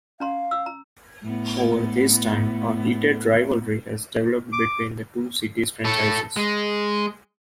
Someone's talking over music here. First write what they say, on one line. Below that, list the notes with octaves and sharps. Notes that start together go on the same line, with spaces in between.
Over this time, a heated rivalry has developed between the two cities' franchises.
C#4 F5 A#5 C6
E6
A#5
A2 B3
D6
A4 C#5
G#3